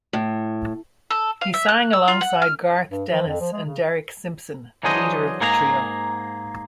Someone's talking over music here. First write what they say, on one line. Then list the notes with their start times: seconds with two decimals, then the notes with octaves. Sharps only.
He sang alongside Garth Dennis and Derrick Simpson, the leader of the trio.
0.13 A2
1.10 A4
1.41 F5
1.54 E5
1.69 F#6
1.93 E6
2.08 F4
2.21 F#5
2.42 F6
2.90 G2
3.11 F3
3.27 F2
3.40 F3
3.52 G#3
3.65 C#3
4.83 E3 F#3 D4 G#4 C5 D#5
5.40 G#2 A#3 G#4 A4 A#5